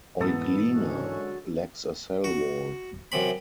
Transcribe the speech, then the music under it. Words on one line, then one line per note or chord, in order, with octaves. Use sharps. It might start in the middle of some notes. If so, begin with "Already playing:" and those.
"Euglena" lacks a cell wall.
G#2 E3 B3 A4 D#6
F#2 D3 F#3 G#3 C#4 F#4
F#4
F#2 C3 B5